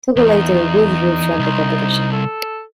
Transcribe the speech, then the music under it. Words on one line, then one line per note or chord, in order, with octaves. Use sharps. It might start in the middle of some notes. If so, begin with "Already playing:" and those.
Togo later withdrew from the competition.
E2 D#4
C2
A4